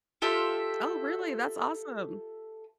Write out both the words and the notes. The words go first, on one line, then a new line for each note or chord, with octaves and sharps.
Oh, really? That's awesome.
F4 G4 A4 E5